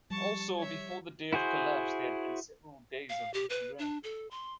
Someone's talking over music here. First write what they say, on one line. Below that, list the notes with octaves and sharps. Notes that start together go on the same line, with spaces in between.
Also, before the day of collapse, there had been several days of heavy rain.
F3 G3 A5 C#6
C#5 E5
E4 F#4 G#4 C5
F5
G4
B4
D4
A4
C6